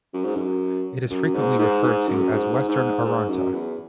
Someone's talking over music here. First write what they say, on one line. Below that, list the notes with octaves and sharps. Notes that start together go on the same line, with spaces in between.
It is frequently referred to as Western Arrarnta.
F#2
G#2
F#2
F#2
G#2
G#2
G#2
F#2
G#2
G#2
G#2
F#2
E2